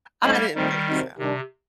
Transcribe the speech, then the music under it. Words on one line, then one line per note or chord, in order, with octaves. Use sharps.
I didn't think so.
A2 G3 A3 A#3 C4 D#4
A#2 D#3 G3 A3 C4 D#4
C3 F#3 C4 D#4
C3 D#3 G3 D4